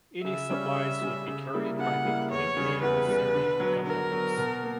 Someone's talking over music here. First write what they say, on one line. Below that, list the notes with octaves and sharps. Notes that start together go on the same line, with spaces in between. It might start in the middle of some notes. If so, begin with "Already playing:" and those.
Any supplies would be carried by the empty ascending gondolas.
C#3 E5
G3 C#4
C#3
G3 C#4
C#3
G3 A#3 E4
C#3 F#5
G3 A#3 E4
E2 C#5
C#3 G3
E2 B4
C#3 G3
D3
F#3 B3
D3 A#4
F#3 B3
B2
A#3